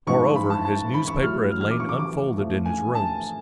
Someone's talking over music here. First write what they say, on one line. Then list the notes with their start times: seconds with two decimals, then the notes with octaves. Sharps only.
Moreover, his newspaper had lain unfolded in his rooms.
0.07 G#2 F3 C#6
0.36 B5
0.50 A5
0.65 A5
0.94 B5
1.08 C#6
1.22 A2 F#3 F6
1.51 F6
1.61 F6
1.71 D6
1.80 C#6
1.89 D6
1.99 D6
2.38 A2 F3
2.65 G#5
2.95 A5